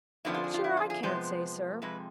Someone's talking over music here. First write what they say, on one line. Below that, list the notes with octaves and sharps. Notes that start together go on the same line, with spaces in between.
'I'm sure I can't say, sir.
F2 D3 F3 B3 D4 E4
F4
G#4
F4
E4
F4
G#4
C3 F3 G#3 B3 C5
F2 C3 G#3 B4